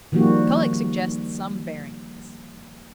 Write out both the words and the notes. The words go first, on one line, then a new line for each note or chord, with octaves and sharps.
Kullak suggests some variants.
D#3 F3 G3 A#3 F#4 G4